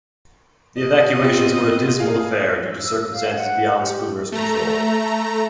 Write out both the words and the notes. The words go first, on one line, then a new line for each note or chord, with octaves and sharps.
The evacuations were a dismal affair due to circumstances beyond Spooner's control.
D#5
B3 C4 F4
G#4 F5
E6
F5
F#5
G4
A3 A#5